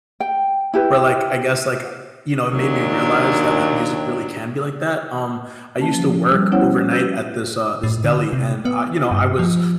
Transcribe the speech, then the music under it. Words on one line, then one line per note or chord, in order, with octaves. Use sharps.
where, like, I guess, like, uh, you know, it made me realize that, like, music really can be like that. Um, I used to work overnight at this, uh, this deli, and I you know, I was
G5
E4 G4 B4
D#2 F#3 D4
A#3 C#4 A5
F3
G3
B3 C#4 E4 C5 C#5 F#5
F#4 B4 E6 G6
A2
D3
C3
B3
G2
F3